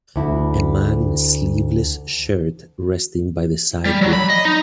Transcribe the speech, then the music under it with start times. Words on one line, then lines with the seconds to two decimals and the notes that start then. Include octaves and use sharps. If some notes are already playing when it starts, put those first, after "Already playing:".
A man in a sleeveless shirt resting by the sidewalk.
0.16 D2 E4
3.85 G3
4.02 F#3
4.13 B5
4.30 D#5
4.45 D#4